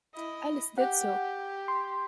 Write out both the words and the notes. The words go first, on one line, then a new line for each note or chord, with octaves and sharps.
Alice did so.
E4 D#5
G4 F#5
C6